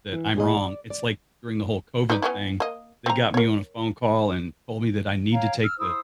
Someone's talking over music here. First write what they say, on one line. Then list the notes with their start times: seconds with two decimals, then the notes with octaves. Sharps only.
that I'm wrong. It's like, during the whole COVID thing, they got me on a phone call and told me that I need to take the
0.13 E3 E4
0.36 A#2 G#4 D#5
0.57 D5
0.90 D5
2.10 D#4 B4 D5
2.22 B3 C#4 E4
2.60 A#3 D#5
3.06 C4 A#5
3.34 A#4 C#5
5.32 C#5 F5 G5 A#5
5.62 E6 F6
5.78 E4 C5 D#6 E6